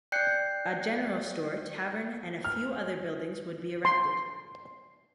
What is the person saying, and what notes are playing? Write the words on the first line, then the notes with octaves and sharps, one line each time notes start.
A general store, tavern, and a few other buildings would be erected.
D5 G5 F#6 G6 C7 C#7
F6
C6